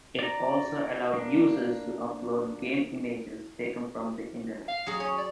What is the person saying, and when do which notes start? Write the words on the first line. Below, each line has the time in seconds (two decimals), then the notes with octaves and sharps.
It also allowed users to upload game images taken from the Internet.
0.19 D5 A#5
1.14 A#3 D4
4.68 F5
4.87 F#3 G#4
5.00 C#4 C#5
5.18 D5